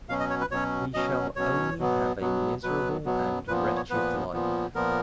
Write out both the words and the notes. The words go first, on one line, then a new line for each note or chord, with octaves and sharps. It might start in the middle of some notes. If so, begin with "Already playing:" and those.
We shall only have a miserable and wretched life.
B2 F#3 C#4 F5
D#5
C#5
B4
B2 F#3 C#4 C#5
B2 F#3 C#4 D#5
B2 F#3 C#4 C#5
B2 F#3 B3
B2 F#3 B3
B2 F#3 B3 B4
B2 F#3 B3
A#2 F3 B3 B4
C#5
A#2 F3 B3 B4
A#2 F3 B3
A#2 F3 B3 A#4